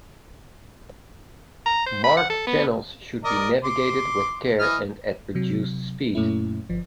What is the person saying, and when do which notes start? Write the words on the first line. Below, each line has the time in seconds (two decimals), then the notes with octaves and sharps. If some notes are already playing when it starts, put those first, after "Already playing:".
Marked channels should be navigated with care and at reduced speed.
1.66 A#5
1.86 C5
2.04 B5
2.17 F#5
2.30 A4
2.47 B3
3.24 A#4 D5 D#5
3.64 C6 D6
4.59 E3 D#5 F6
5.35 C3 F#3
6.15 F#2 A#2 A3 C#4 E4
6.69 G1 F3